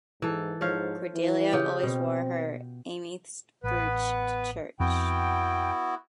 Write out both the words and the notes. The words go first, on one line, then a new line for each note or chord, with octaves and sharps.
Cordelia always wore her amethyst brooch to church.
G#2 E3 A4
G#2 F3 C#5 F5
E3
C#3 F4 G4
B2 C4
A1 B3 B4
F2 B3 C4 E4 F#4 G5